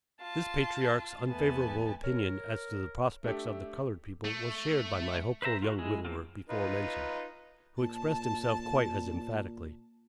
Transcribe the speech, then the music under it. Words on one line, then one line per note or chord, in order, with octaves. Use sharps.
This patriarch's unfavorable opinion as to the prospects of the colored people was shared by my hopeful young widower before mentioned, who expressed himself quite as emphatically.
F4 A5
E2 A3 B3 G#5 A5
A#4 C#5
A3 D4 G4 E5
A3
B4 C5 E5 A#5
F4 F#4
G#3 E4 G#4
F3 G3 A#3 C4 F4
D#4 F4 B4
A#2 A5